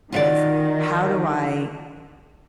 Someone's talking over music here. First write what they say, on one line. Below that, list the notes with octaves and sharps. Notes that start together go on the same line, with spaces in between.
is how do I
D#3 F4 F#4 D5